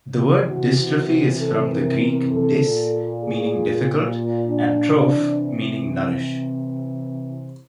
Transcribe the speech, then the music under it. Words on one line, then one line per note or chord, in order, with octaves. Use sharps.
The word "dystrophy" is from the Greek "dys", meaning "difficult" and "troph" meaning "nourish".
C3 E3 G4
F#4
F#4
A4
A#4
A#4
A4
A#2
G#4
G4
D4
C3 E3